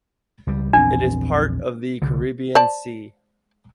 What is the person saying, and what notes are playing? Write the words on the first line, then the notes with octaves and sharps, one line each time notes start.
It is part of the Caribbean Sea.
C#2 G3
A#1 E2 C4 D4
C2 D3
C5 D5 A5